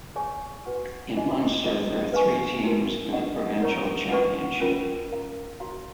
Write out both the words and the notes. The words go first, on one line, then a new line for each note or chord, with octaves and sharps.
In Munster there are three teams in the provincial championship.
G#4 C#5 G#5 C#6
F#4 B4 F#5 C#6
F4 G#4 D#5 G#5
F4 G#4 D#5
B4 F5 G#5 C#6
D#4 F#4 A#4
F4 G#4 D#5 F#5 C#6
A#4 C#5 F#5 A#5 C#6
F4 B4 F#5 C#6
C#4 F4 A#4
A#4 F5 A#5
F#4 C#5 F5 A#5